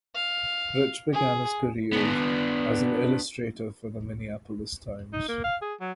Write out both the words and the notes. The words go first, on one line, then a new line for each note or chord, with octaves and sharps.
Rich began his career as an illustrator for the "Minneapolis Times".
F5
G#4
B3 D4
D#4
A#3
F5
G#4
F#3